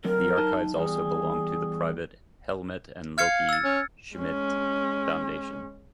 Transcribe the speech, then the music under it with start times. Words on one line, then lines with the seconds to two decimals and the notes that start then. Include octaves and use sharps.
The archives also belong to the private "Helmut and Loki Schmidt Foundation".
0.05 D3 F#3 C4 A#4
0.37 F#3 D#4 A5
0.75 E2 G3 G#4
3.18 F5 F6 G#6 C#7
3.49 E6 A6
3.64 C#4
4.14 G#3 C#4